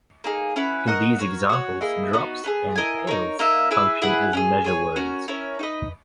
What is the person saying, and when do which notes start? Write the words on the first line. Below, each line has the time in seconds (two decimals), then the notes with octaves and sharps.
In these examples, "drops" and "pails" function as measure words.
0.24 A#3 D#4 G#4
0.56 C#4 E4 B4 F#5
0.86 F#4 A#4 D#5 F#5
1.18 F#4 A#4 C#5
1.49 F#4 C#5 F#5
1.81 A#3 E4 G#4 D#5
2.13 B3 D#4 F#4
2.44 B3 D#4 G#4
2.76 E4 A#4 D#5 G#5
3.07 D#4 A#4 C#5
3.39 A#3 D#4 A#4 E5
3.71 E4 G#4 B4 E5
4.02 E4 G#4 B4 F#5
4.33 C#4 E4 G#4
4.64 G#4 C#5 G#5
4.96 C#4 F#4 A#4
5.28 C#4 E4 A#4 C#5
5.59 D#4 F#4 B4 D#5